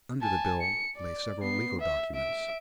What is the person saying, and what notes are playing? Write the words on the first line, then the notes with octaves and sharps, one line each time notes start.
Under the bills lay several legal documents.
G#5 A5
C#7
D5
B3 C7
E5
E5 D7